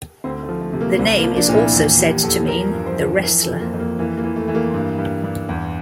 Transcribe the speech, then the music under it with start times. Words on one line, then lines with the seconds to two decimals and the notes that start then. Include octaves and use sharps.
The name is also said to mean "the wrestler".
0.24 D2 C4
0.42 A3
0.49 F3
0.61 A3
0.73 C3
0.81 A#3
0.98 C2 C4
1.18 A#3
1.24 F3
1.36 D4
1.49 A#2
1.54 E4
1.74 E2
1.99 E2 G4
2.23 E2 A4
2.48 F3 A#4
2.73 G2
2.86 C5
2.99 F3
3.23 E3 A#4
3.43 A4
3.48 F2
3.60 A#3
3.73 F2
3.80 A#3
3.99 E3 A#3
4.18 A#3
4.24 E3
4.36 A3
4.48 E3
4.55 A#3
4.74 G2
4.98 G2
5.24 G2
5.49 E2